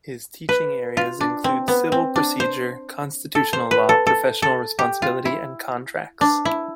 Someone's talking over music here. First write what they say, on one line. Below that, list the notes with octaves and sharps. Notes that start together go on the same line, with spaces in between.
His teaching areas include civil procedure, constitutional law, professional responsibility, and contracts.
B4
F4
D4
C4
B3
C4
D4
C5
A4
C5
B4
A4
A4
A4
G4
F4
E4
D4
E4